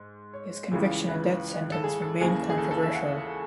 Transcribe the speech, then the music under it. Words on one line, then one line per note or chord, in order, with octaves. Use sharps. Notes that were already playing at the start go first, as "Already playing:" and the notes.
His conviction and death sentence remain controversial.
Already playing: G#2
C#5
C#2 C#3 E3
B4
A4
G#4
A4
D#2 C#3 E3 G#4
G#4
A4
A4
E5
F#5